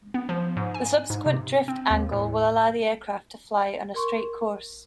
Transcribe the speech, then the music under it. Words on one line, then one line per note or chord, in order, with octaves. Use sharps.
The subsequent drift angle will allow the aircraft to fly on a straight course.
B3
F3
G#2
G#5
G#2
C3
C4
D#2
A2
A#4 C6 C#6